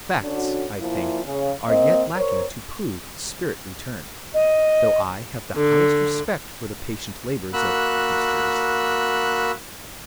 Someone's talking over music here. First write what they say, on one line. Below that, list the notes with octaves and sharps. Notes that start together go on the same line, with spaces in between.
Facts, I think, are yet lacking to prove "spirit-return," though I have the highest respect for the patient labors of Messrs.
D3 C#4 D4 F#4
A#2 F3 E4
C#3
A#3 C4 D#5
A#4 C5 C#5
D#5
D3
A#3 F#4 B5 E6 F#6